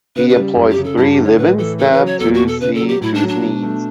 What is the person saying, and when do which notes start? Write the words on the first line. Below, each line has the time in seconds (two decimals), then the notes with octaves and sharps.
He employs three live-in staff to see to his needs.
0.16 C#3 B4
0.29 B4
0.36 G3
0.56 F#2
0.71 G4
0.78 C#3
0.84 A4
0.97 G2 E4
1.12 G4
1.18 D3
1.24 C#5
1.38 A2 B4
1.58 E3 A4
1.79 C#3 A4
1.93 B4
2.00 F#3
2.06 C#5
2.20 E2 A4
2.34 F#4
2.40 B2
2.48 A4
2.61 C#3 B4
2.75 A4
2.81 F#3
2.88 G4
3.01 A2 E4
3.14 D4
3.22 F#3
3.28 D4
3.42 B2
3.63 A3